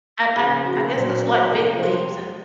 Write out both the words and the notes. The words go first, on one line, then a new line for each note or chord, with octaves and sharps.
I I I guess 'cause, like, big leaves and
A#4
F2 C#3 F3 G#4
F#4
G#4
A#4
A#2 F#3 C5
F2 C3 F3 A#4
C5